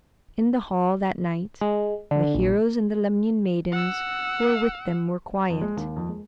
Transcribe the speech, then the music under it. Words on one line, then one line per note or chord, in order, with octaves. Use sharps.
In the hall that night the heroes and the Lemnian maidens who were with them were quiet.
G#3
D3
A#1
F#5 E6
F2
G#3
D#2
F2
G#3